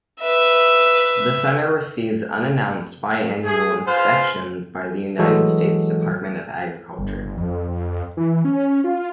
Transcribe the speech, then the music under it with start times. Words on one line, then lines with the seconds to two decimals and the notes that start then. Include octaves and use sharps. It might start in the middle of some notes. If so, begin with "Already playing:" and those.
The center receives unannounced bi-annual inspections by the United States Department of Agriculture.
0.21 B4 E5
3.44 A3 G#4
3.86 F4 G#4 B4 C5 F5
5.19 E3 F#3 G#3 F#4 A4
6.98 G1
7.37 F2
7.68 F2
8.17 E3
8.45 C#4
8.84 F4